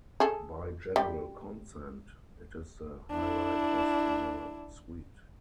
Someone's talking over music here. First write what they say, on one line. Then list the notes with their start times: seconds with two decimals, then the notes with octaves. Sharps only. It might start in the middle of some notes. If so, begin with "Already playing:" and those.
By general consent it is the highlight of the suite.
0.20 G#4 A4
0.96 G3
3.10 D4 E4